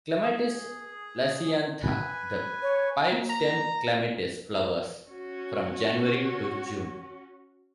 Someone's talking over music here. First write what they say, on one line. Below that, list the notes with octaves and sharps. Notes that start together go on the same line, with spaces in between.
"Clematis lasiantha", the pipestem clematis, flowers from January to June.
G#4
B4 G#5
C#5
A#3
A#5
C#4 F#4